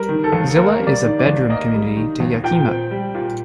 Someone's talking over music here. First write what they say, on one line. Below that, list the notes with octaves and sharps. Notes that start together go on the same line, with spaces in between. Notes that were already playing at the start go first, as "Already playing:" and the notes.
Zillah is a bedroom community to Yakima.
Already playing: G3 A#4
D#3
A4
D#2
A#3 A#4
G3
D5
D#3
D5
D#2
A#3 D#5
G3
D#3
D#2
A#2 G5
C4
G3
A#2